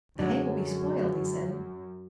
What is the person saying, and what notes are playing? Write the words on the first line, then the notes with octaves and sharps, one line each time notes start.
"The hay will be spoiled," he said.
F#2 D3 F#3 G#3